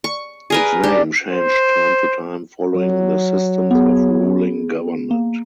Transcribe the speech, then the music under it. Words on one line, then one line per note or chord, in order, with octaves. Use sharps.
Its name changed time to time following the systems of ruling government.
C#6
G#4 A#4 B4
D4 G4
C5
F#3
B3 G#4
A#3